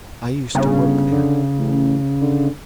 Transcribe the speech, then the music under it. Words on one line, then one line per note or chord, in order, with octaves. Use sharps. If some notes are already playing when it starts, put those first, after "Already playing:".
"I used to work there."
G1 C#3
D3
A1
D3